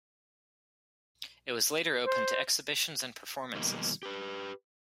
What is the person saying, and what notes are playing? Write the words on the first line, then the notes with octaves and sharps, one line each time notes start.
It was later opened to exhibitions and performances.
C5
F2 B2 D#3 G3 A#3 D#4
G4 B4